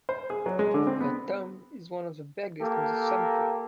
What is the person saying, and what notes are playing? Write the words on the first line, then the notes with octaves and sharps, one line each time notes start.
Her tomb is one of the biggest in the cemetery.
C5
G#4
F#3
G#3
D3
C4
B3
A#3 G4 A4